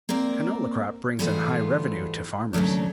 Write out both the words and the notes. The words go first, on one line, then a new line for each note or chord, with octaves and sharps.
Canola crop brings in high revenue to farmers.
A#3 C4 A#4 D5
G#2 E3 G3 A3 B3 F4
D#2 C#3 F#3 A3 D4